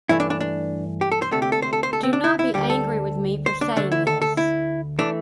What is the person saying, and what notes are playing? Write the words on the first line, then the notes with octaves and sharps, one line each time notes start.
Do not be angry with me for saying this.
G2 E3 A3 E4
D4
D4
D4
G4
A4
C5
D2 C3 A3 A4
G4
A4
C5
A4
C5
A4
C4
D4
E4
E4
D2 D3 G3 G4
A4
C5
D4
D2 D3 A3 D4
E4
A4
A4
E4
E3 A3 D4